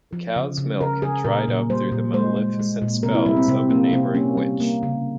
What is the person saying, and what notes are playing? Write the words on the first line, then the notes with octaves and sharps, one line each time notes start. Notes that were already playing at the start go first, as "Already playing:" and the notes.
The cow’s milk had dried up through the maleficent spells of a neighboring witch.
F3
C#3
C#3
C#3 A#4
C#3 G#4
A#2 A#4
A#2
G3 C5
A#2
G#3 C5
G#3
G#3
A#2
C3 A#4
E4
G3 E4
C4
C3 C4
A#3
C3 C4
A#3 C#4
G3
A#3
C#3